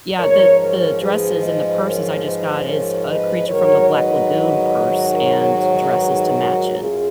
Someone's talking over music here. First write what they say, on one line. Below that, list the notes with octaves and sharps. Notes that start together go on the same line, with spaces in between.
yeah, the the dresses and the purses I just got is a creature from the Black Lagoon purse and dresses to match it.
G#2 F3 A#4 C#5
A#4 C#5
G#4 B4
B4 D#5
A#4 C#5
B4 D#5
A#4 C#5
B4 D#5
G#2 D#3 F#3 A#4 C#5
B4 D#5
A#4 C#5
A#4 C#5
G#4 B4
F#4 A#4
F#2 F4 G#4